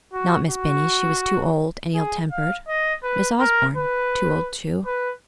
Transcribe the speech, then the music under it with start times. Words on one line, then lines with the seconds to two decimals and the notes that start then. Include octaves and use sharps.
Not Miss Binny, she was too old and ill-tempered; Miss Osborne? too old too.
0.13 F#4
0.50 F#4
1.95 G#4
2.31 F5
2.68 D#5
3.03 B4
3.40 A#4
3.77 B4
4.86 B4